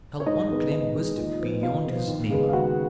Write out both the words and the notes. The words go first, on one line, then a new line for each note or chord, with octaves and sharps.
Shall one claim wisdom beyond his neighbor?
C#5
G#2 D#4 D#5
D#3 G#3 B3
G#2 D#4 D#5
D#3 G#3 B3
A#2
F3 B3
A#2 F4 F5
F3 B3
D#2
C#3 G#3 B3
F5
D#2 F#4 F#5